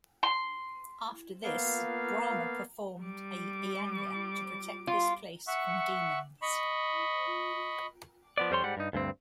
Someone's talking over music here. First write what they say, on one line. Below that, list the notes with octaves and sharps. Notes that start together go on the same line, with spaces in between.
After this Brahma performed a yagna to protect this place from demons.
C6
A#3 B3 F5
G3 D6
F4
E5 F#5 C#6
D#5 B5 C#6
F3 B3 D5
F2 G3 C5 C#5 C6
G#2 G3 F#5
G2 D#4
D2 G2 C4